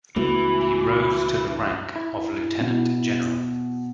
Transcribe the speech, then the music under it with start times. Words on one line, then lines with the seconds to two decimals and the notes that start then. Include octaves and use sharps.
He rose to the rank of Lieutenant-General.
0.16 C#2 E3 A3 B3 F#4
1.96 E4
2.61 B2